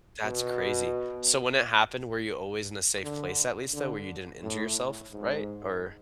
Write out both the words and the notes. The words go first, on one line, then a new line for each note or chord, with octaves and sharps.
That's crazy, so when it happened, were you always in a safe place, at least, though, where you didn't injure yourself f f right, or
B2
D3
D3
A2
G#2